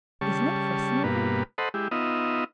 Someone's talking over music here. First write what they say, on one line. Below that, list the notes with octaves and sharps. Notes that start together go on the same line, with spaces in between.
Isn't it fascinating?
C#3 G3 A5 C#6
G2 B2 A#3 B4
A4 C5 D#5 F#5 B5
G#3 E4 G4
B3 D#4 F4 D#5 E5